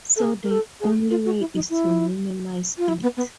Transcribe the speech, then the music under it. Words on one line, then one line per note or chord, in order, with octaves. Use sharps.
So the only way is to minimize it.
A4
G#4
A#4
A4
G#4
F4
F#4
E4
D#4
E4
F4
E4
B3
B3